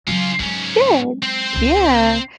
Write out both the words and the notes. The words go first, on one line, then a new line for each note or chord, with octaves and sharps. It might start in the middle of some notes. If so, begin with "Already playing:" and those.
Good. Yeah,
C#3 F#3 C#4 F4
G#2 F#3 G#3 C#4
C4 C5
C#2 C#3